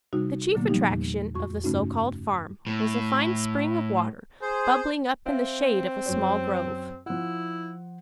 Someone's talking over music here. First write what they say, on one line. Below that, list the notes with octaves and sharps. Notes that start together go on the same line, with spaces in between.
The chief attraction of the so-called farm was a fine spring of water bubbling up in the shade of a small grove.
C3 G3 D#4 F#4
A#2 D3 F#3 A#3 B3
F3 G3 D#4 G4
E2 A#2
F2 F#4 C#6
G2 C#3 A3 C#4 D#4 F#4
A2
G#4 C5
C4 E5 F5 G5
F#2 C#5
F3 E4 F#5